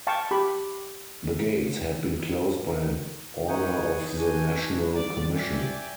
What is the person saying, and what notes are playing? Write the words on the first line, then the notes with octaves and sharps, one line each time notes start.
The gates had been closed by order of the National Commission.
F5 G5 A5 C#6
G4 B5 D6
D#4 B4 C#5 F#5 D#6 G6
D4 F#4 G#5
G3 C4 D5
D5 E5 G5 G#5